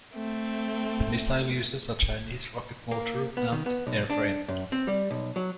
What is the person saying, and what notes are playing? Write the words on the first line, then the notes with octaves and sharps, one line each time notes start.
The missile uses a Chinese rocket motor and airframe.
A3 C4
A#3
B3
D#3
B3
B1
D4
F#2
C4
G3
B1
F#3